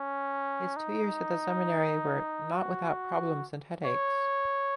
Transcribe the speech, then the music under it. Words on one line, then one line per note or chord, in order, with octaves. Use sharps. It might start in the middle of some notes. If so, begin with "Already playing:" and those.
His two years at the seminary were "not without problems and headaches".
Already playing: C#4
D#4
F#4
C#5